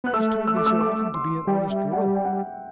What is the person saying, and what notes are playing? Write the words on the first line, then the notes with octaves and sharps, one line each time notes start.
She's told me so often to be an honest girl.
B3 F#6
A3 E6
E6
D6
E6
D6
C6
G3 G5
E5
F#5
G5
F#5
G5